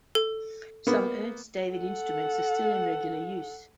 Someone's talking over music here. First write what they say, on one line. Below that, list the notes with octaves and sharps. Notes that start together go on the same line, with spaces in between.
Some Ernst David instruments are still in regular use.
A4
A#3 B3
A4 F#5